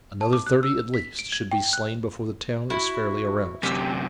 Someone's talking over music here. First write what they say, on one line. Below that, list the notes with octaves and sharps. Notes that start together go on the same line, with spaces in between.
Another thirty at least should be slain before the town is fairly aroused.
A5
D6
F#6
E6
B6
D7
G#6
G5
F#6
E4 F#4
F#2 C3 G4 E6